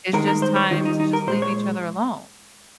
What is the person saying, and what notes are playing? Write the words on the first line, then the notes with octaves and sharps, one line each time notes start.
it's just time to just leave each other alone.
G2 D#3 G#3 A#4
A#4
C5
C#5
D#2 D#3 G3 F4
D#4
D#4
A#4
A#2 G#3 C5
C#5